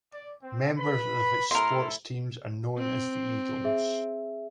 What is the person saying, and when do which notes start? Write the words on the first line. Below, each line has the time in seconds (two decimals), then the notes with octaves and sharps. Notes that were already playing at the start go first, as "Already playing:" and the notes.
Members of its sports teams are known as the "Eagles".
0.12 D5
0.42 C4
0.77 B4 B5
1.51 A2 E4 A4 A#4 C6
2.78 C4
3.64 G#4 E5